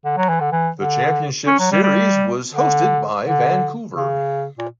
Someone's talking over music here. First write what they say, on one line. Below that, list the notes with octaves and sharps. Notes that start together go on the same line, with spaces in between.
The championship series was hosted by Vancouver.
D3
F#3
E3
D3
E3
D3
C#4
F#3
G3
G3
D3
D3
C#3
A#2